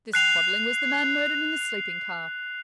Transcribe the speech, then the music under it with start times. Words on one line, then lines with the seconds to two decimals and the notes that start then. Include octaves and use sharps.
This Quadling was the man murdered in the sleeping-car.
0.14 F#6 C7 F7